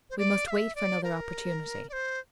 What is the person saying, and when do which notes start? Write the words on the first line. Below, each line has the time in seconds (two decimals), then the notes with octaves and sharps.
We must wait for another opportunity.
0.10 C5
0.18 D5
0.47 F5
0.50 E5
0.75 D5
1.04 A#4
1.89 D5
1.93 C5